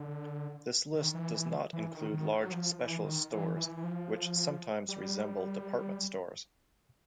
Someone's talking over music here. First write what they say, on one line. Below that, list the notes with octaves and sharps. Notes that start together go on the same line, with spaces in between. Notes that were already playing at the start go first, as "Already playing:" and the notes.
This list does not include large specialist stores, which sometimes resemble department stores.
Already playing: D3
D#3
E3
E3
E3
D#3
D#3
D#3
F#3
F3
E3
D#3
E3
E3
E3
F3
G3